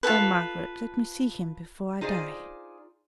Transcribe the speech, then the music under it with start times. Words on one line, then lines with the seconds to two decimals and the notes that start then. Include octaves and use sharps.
Oh, Margaret, let me see him before I die!'
0.03 F4 F#4 A4 B4
2.01 D#4 F4 G#4 C5 D5